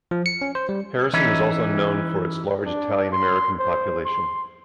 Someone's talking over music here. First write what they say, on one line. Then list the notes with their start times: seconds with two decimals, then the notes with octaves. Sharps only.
Harrison is also known for its large Italian American population.
0.11 F3
0.26 C#7
0.42 C#4
0.55 C5
0.69 G3
1.13 E3 C#4 D#4 E4
2.66 D4
3.12 C6
3.59 C5
4.06 C6